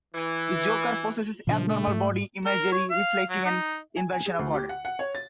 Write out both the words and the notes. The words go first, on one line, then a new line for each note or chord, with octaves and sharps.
The Joker possesses abnormal body imagery, reflecting an inversion of order.
E3
A#2 C#3 F3 D4
A3
G#2
A#4
C#5
F5
F#3
D#4
G#5
G#5
G#4
D2
G4
F#5
F#5
C#5
A6